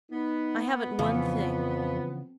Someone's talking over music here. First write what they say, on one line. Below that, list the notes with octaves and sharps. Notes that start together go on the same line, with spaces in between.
I haven't one thing.
B3 D#4
F2 C#3 E3 F3